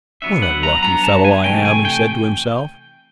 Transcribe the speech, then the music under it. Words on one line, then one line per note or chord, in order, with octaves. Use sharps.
"What a lucky fellow I am!" he said to himself.
F#3 B3 D4 E5
F#5
A#5
F#3 B3 D4 A#5
A5
G#5
C3 E3 A3 G5
G#5
G5